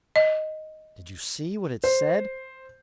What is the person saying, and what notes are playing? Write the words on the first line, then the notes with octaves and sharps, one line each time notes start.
Did you see what it said?
D#5
C5